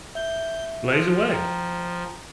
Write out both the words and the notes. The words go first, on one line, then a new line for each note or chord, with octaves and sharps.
Blaze Away!
E5 G6
F3
G5 A#5